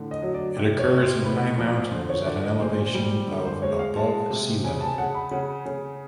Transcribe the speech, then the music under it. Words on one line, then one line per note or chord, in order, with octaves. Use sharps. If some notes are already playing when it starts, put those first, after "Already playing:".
It occurs in high mountains at an elevation of above sea level.
Already playing: A2 D3
D#5
F#3
D5
C3
C#5
C3
C5
A2 B4
F3
D3 C5
C#5
D3 D5
D#5
A#2 C5
G3
D3
C5
G#3 C#5
F5
G#3 A5
C3
C#3 G#5
A5
C#3 F#5
B5
C#3 F#5
C#3